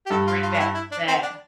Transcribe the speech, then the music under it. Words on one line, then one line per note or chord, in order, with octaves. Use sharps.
bring back that
G4
G2 A4
F4
F4
D4
E4
E4
D4
C4
D4